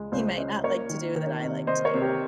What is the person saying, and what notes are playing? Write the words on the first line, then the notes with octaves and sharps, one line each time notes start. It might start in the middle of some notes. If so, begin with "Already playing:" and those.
he might not like to do, that I like to do.
Already playing: C#2 G#3
C#2 G#4 C5
C#4 C5 D#5
A#3 A#4 C#5
D#3
D#3
C3
C3 C5 D#5
A#4 C#5
C3
G4 A#4